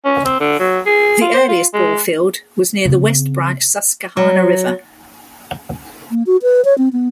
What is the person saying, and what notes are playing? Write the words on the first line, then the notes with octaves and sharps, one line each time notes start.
The earliest ballfield was near the West Branch Susquehanna River.
C#4
C4
D3
F#3
G#4
F4
C5
F4
G#3
C#3 C4
F#3
A#3
F#4
B4
C#5
C4
B3